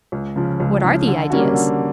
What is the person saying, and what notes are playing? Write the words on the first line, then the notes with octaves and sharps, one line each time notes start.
What are the ideas?'
C#2
C#3 F3
C#2
C#3 F3
D3
G3 A#3 C#4 F#4
D3